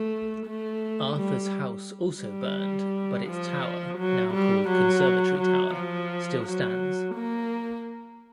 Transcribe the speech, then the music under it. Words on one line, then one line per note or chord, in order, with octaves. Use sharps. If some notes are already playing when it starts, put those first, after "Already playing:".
Arthur's house also burned, but its tower, now called "Conservatory Tower," still stands.
Already playing: A3
A3
G3
G3
F3
F#3
G3
F#3
F#3
F3
F#3
A#3